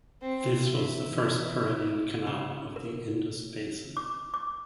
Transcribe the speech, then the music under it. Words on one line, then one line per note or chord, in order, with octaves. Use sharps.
This was first perennial canal of the Indus Basin.
C4
E2 E5
C#3
A#4
D6
D6